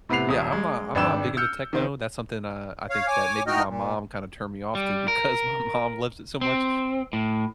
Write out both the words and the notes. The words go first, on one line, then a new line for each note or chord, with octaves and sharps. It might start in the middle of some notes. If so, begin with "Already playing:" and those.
yeah, I'm not I'm not big into techno, that's something, uh, I think that maybe my mom kinda turned me off to because my mom loves it so much,
A2 C3 B3 B5 C7 F7
D#1 D#6
G#3
G#1 D4 B4 G5 E6 E7
E6 F6 G6 C#7
D#3 C4
C#5 F5
C#5 G#5 D6
E3 D#4 F#4 D#5 G5 F6
A#2
G3
A#4
C4
A2